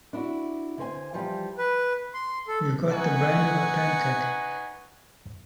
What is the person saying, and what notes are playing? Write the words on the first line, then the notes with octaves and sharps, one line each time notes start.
You've got the brain of a pancake.
D4 E4 F#4
D3 C5 G#5
E3 F3 G3
B4
C6
A4
D#4 B4 F#5 G#5 C#6